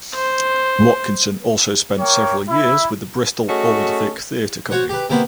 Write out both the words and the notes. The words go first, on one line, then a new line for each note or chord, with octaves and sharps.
Watkinson also spent several years with the Bristol Old Vic Theatre company.
C5
A#3 C#5 G5
E4
A3 C#4 F#4 G#4 D#5
F#4 C5 C#5 F#5
G4 B4
C3 A#3 B3 C5 B5